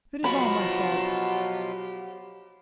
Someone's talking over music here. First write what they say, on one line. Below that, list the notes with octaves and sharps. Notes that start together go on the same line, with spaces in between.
It is all my fault.
B2 F3 F#3 F4 G4 F#5 B5